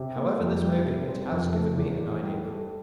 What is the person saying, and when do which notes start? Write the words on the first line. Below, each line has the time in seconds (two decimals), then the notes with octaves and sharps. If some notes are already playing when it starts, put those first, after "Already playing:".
However this may be, it has given me an idea.
Already playing: C3
0.16 A#3
0.39 F2
0.62 G3
0.85 C3
1.08 C4
1.31 F2
1.54 A3
1.77 E2
2.00 A3
2.23 G3
2.46 A4